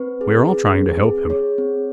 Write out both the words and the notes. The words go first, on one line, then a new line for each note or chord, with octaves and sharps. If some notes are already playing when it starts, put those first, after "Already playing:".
We are all trying to help him.
Already playing: C4 B4
G#4
G#4
C4
G#4
G#4 C#5
C4